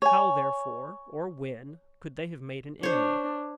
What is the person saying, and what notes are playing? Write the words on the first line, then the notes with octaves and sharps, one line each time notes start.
How, therefore, or when could they have made an enemy?
C#5 G#5
D4 C5 C#5